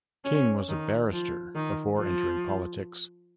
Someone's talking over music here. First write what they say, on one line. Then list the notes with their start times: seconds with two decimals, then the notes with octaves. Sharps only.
King was a barrister before entering politics.
0.25 C#4
0.69 D#3
1.13 F3
1.55 D#3
1.99 F3